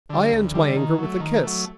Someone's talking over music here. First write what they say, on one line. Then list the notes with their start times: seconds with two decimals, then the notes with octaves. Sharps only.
I end my anger with a kiss.
0.10 D3 G3
0.32 D2
0.54 D3 G3
0.76 D#3
0.99 F#3 A3
1.20 D#3
1.43 F#3 A3